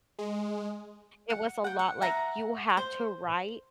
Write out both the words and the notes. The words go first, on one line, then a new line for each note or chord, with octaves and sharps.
it was a lot, like, you had to write
G#3
F#5
F#5 G5
F#5
E5 F#5 A#5
C5